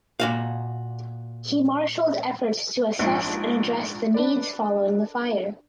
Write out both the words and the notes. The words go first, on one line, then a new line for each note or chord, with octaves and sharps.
He marshalled efforts to assess and address the needs following the fire.
A#2 F#4 F5
A#1 G#2 F3
D4 B4 D5